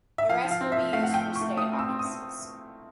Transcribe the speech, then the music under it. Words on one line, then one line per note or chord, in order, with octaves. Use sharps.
The rest will be used for state offices.
E5
F3 F5
F3
F5
C4
E5
F3
A3 F5
F#5
F3 G5
F3
C#6
A3
A3 D#6
C4
E6
C4
D#6
C4